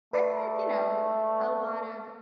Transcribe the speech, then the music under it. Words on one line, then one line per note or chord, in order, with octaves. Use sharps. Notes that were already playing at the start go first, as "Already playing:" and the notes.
I've had, you know, a lot of
A3 B4 D5